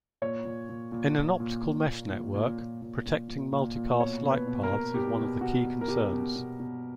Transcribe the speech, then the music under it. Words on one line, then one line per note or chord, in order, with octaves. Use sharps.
In an optical mesh network, protecting multicast lightpaths is one of the key concerns.
A#2 C#5
A#2
A#2
A#2
A#2
A#2
A#2
A#2
A#2
A#2
A#2
A#2
A#2
A#2
A#2
A#2
B2 C#5
B2
B4
B2
A#4
B2
B2 G4
B2
B2 F#4
B2
A#4
B2 G4
B2
B2
B2